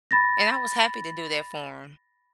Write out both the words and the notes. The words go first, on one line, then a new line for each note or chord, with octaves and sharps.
And I was happy to do that for him.
B5 A6 A#6